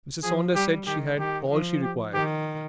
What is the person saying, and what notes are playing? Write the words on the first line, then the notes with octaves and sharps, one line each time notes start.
Mrs. Saunders said she had all she required.
F3 G#4
G3 G4
D#3 G4
D#3 G4
F3
G4
D#3 G4